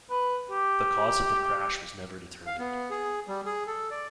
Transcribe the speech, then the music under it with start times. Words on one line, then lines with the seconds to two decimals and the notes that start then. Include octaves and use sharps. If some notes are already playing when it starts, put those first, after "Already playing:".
The cause of the crash was never determined.
0.10 B4
0.51 G4
2.46 F5
2.59 B3
2.90 G#4
3.28 G3
3.46 G#4
3.67 A4
3.91 D5